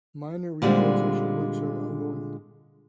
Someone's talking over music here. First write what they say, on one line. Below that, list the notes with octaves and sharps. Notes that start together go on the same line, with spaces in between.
Minor rehabilitation works are ongoing.
A#2 D3 G3 G#3 C4